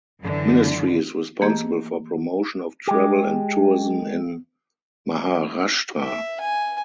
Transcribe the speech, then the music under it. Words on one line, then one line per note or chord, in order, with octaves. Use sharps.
Ministry is responsible for promotion of travel and tourism in Maharashtra.
F#2 D3 E3
E3 A3 A#3 G4 G#4 D#5
G#3 G4
E5
G#5